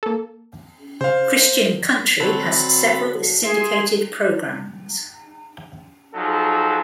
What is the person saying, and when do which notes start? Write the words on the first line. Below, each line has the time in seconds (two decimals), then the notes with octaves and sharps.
Christian country has several syndicated programs.
0.03 A#3 A4
1.01 C#3 C5 F5
2.20 D3 F#3 C4 A4 B5
3.43 G#4 E5 C6 C7
6.14 F3 F#3 D#4 G#4 A4